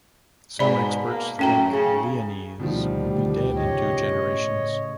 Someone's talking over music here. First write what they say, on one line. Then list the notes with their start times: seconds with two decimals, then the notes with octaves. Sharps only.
Some experts think Leonese will be dead in two generations.
0.59 G#2 B2 D5 B5
1.05 A#3
1.39 F#2 A2 C#4 G5 A#5
1.71 C#3
2.60 D2 B2 D#3 F3 G3
3.09 D2 G4
3.56 A2 C#3 C#5 D#5